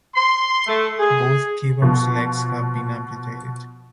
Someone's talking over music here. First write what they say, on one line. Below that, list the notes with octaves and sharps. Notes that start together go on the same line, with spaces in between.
Both Kibrom’s legs have been amputated.
C6
A3
G#4
B2 F3